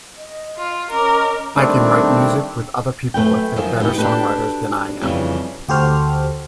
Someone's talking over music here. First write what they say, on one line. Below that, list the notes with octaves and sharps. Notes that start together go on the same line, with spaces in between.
I can write music with other people if they're better songwriters than I am.
D#5
F4
C#4 A#4 D#5 D6
D#3 G3 A3 C4 D4
F#2 A3 B4 G5
F#2 D#3 F3
B3 D#4 E4 G4 G#4
D4 F#4 G4 A4 B4
F2 C#3 E3 G3
D2 F#4 G4 A4 C5 F6